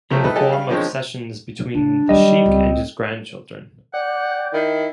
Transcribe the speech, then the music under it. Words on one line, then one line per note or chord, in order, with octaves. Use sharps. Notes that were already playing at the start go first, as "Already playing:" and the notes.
In the form of sessions between the Sheikh and his grandchildren.
F3 F#3 A3 A#3 C4
D#4 E4 G4 A4 B4
G4 A4 B4 D#5 G5 G#5
G3 F5
D3 D#3 F3 G#3 C4 C#4
C#3 D4
D#3 F#3 G3 D#5
C#2 C4
D5 F#5 G5
D#3 E4